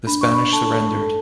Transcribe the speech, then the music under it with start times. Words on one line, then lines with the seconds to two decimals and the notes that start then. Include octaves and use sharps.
The Spanish surrendered.
0.07 D4 B5
0.21 C#6
0.35 B5
0.53 A4 A5
0.98 A4